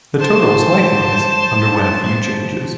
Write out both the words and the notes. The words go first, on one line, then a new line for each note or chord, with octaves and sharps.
The Turtles, likewise, underwent a few changes.
C5 A5